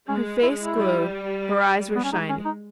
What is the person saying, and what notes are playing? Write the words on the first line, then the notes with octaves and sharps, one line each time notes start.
Her face glowed, her eyes were shining.
G#3 C#4
E4
E4
G3
B3
C#4
G#3 D#4
C#4
D#4